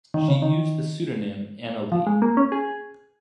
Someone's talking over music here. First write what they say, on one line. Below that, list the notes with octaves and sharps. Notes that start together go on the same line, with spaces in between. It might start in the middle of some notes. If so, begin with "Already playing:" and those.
She used the pseudonym "Anna Li".
D#3
C#3
D#3
F3
G#3
A#3
C#4
G#4